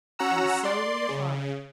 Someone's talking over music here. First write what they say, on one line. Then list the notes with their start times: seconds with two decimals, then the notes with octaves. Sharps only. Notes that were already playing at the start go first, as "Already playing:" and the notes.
"And so will your father."
0.19 C#4 F#4 F#5 A#5 E6
0.63 D5 C6
1.09 C#3